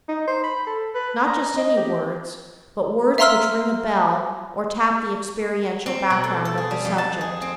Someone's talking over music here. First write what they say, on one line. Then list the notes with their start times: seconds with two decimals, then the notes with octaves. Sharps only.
Not just any words, but words which "ring a bell" or tap the experiential background of the subject.
0.09 D#4
0.27 C5
0.44 B5
0.67 A4
0.95 B4
1.26 A#5
1.57 D#5
1.77 G4
3.18 E5 F5 A#5 C6 E6 F6
5.86 C4
6.10 B2
6.24 A4
6.45 A4
6.58 G#4
6.71 G3
6.85 F2
6.98 A5
7.21 G#4
7.42 C4